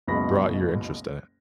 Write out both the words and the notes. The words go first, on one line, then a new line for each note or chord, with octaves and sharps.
brought your interest in it?
F#1 C#2 B2 B5 A#6